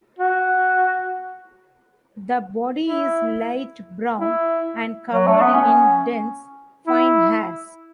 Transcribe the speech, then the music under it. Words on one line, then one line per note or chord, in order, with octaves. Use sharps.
The body is light brown and covered in dense, fine hairs.
F#4
E4
E4
F#3
A3
B3
C#4
E4